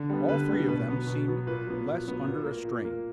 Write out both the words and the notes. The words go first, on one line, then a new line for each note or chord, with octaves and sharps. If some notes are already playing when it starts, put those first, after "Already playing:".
All three of them seemed less under a strain.
Already playing: D3
G3 B3
D3 B4
G3 B3
B2 B4
F#3 B3
B2
F#3 B3
A#2 B4
F#3 B3
A#2
F#3 B3
A#2
A#3
A#2
A#3